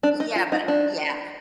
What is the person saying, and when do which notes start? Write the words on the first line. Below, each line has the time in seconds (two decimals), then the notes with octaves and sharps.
yeah but yeah.
0.03 D4
0.20 D#4
0.36 F4
0.52 D#4
0.68 D4